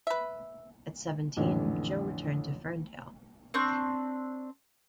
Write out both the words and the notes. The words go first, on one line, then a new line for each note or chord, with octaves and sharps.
At seventeen, Joe returned to Ferndale.
B4 E5
A1 F2 A#2 D3 E3
C4 D4 C#6 G6